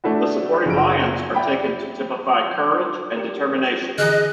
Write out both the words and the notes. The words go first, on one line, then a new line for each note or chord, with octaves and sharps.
The supporting lions are taken to typify courage and determination.
A3 D4 E4 F#4
F#1 F#3 D7
D5 E5 G5 B5
G4 A#4
D3 E3 G#4 D#5 F#6